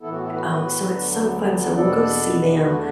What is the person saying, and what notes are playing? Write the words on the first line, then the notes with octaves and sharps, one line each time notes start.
Um, so it's so fun, so we'll go see them,
A2 E3 B3 E4 A4
F#4
E4 A4
F#4 B4
F#4 B4
D2 D3 F#3 B3 D4
E2 B2 B3 D4 A4 D5
E2 D3 A3 D4 F#4 B4